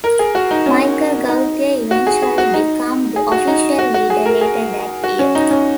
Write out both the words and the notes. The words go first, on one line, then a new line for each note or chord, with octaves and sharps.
Michel Gauthier eventually became the official leader later that year.
A#4
G#4
F#4
D#4
C#4
D#4
F#4
G#4
G#4
F#4
D#4
G#4
F#4
D#4
F#4
F#4
G#4
A#4
G#4
F#4
C#4
D#4
C#4